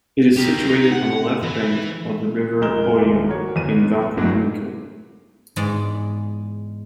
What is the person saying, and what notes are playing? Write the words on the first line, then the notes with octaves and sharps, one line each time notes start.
It is situated on the left bank of the river Oglio, in Val Camonica.
G4 A#4
D#4
F#5
E3
F1 G#3 A#4 E7 G7
D#1 F3 E5 D6
F#4 A#4 C#5
E2 B3 D#7
F1 G2 F#3
E2 G#2 G#3 D5